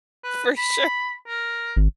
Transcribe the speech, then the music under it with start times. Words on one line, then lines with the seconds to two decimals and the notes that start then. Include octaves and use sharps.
For sure.
0.24 B4
0.58 B5
1.28 A#4
1.76 G#1